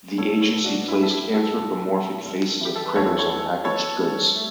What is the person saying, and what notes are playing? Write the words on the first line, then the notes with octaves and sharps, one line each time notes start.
The agency placed anthropomorphic faces of 'critters' on packaged goods.
B2 A4 C#5
A4 C#5
B3
D4 F#4
G2 E4
A4
E4 G4
G3
F#4 A4
B2
B3
G3
E3 G4
A4
B4
E2 A4 C#5
A4 C#5
F#3
B3 A4 C#5
G3
A3